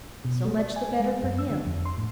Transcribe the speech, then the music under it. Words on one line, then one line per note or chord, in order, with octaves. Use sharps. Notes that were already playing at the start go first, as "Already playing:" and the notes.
So much the better for him.
B2
A3
D5
G#5
G#3
F#2
E6
D3
F2
C6
A2